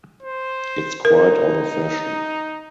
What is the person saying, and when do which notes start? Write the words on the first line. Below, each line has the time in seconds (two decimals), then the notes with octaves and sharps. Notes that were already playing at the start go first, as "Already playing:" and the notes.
It's quite out of fashion.
0.22 C5
1.05 D#4 A#4